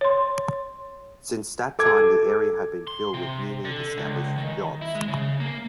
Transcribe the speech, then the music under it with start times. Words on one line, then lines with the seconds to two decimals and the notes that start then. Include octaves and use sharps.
Since that time the area had been filled with newly established jobs.
0.01 C#5 C6
1.79 A4 D6 G#6
2.87 C6
3.14 C3
3.65 D3
3.98 C#2
4.38 D#3
4.82 E4
4.95 G#3
5.08 C#3
5.40 A#3